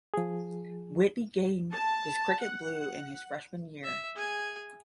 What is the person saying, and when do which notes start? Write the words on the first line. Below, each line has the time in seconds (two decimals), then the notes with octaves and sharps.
Whitby gained his cricket blue in his freshman year.
0.14 F3 G#4
1.73 A5
2.42 F#5
3.83 E5
4.16 G#4 G#5